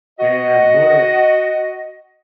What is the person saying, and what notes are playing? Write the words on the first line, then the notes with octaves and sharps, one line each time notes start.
and but,
F#4 D#5